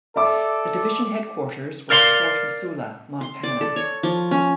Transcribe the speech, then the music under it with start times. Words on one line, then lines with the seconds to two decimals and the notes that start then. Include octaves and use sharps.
The division headquarters was Fort Missoula, Montana.
0.16 A4 D5 E5 D6
1.90 A#4 D5 F5 B5 C6
3.21 C6
3.43 D5
3.61 A4
3.76 C#5
4.03 F3
4.31 C#4